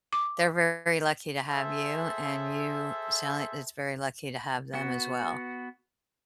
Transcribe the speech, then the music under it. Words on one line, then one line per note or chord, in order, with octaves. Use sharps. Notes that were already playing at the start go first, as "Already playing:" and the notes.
they're very lucky to have you, and you sound like it's very lucky to have them as well.
D6
G#4 A4 C5 E5
B3 F#4